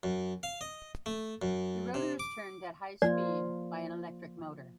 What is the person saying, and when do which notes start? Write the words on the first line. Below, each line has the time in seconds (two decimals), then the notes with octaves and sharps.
The rotor is turned at a high speed by an electric motor.
0.03 F#2
0.43 F5
0.61 D#5
1.06 A3
1.42 F#2
1.94 C3
2.19 D6
3.02 F3 A#3 F4 D5